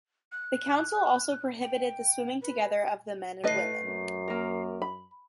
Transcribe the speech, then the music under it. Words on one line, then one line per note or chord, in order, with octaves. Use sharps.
The council also prohibited the swimming together of the men and women.
F#6
G5
B4
A2 A3 B4 D#5
F#2
A#3 A#4
B5